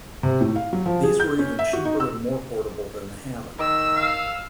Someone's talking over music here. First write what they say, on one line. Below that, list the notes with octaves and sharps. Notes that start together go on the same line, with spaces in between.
These were even cheaper and more portable than the Hammond.
C3
A2
F5
F#3
F3
G#4
G6
C#4
E5
F#4
D#4
E6
D#3 E6
F5